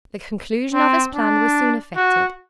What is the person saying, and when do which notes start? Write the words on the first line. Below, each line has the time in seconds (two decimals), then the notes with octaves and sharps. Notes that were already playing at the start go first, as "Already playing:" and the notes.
The conclusion of his plan was soon effected.
0.73 C4
1.14 D4
1.96 F#4